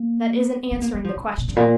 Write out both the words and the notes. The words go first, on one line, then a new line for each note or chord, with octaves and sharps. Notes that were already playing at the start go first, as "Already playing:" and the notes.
"That isn't answering the question."
Already playing: A#3
C4
A#3
G3
F3
D3
A#2
G2
A#2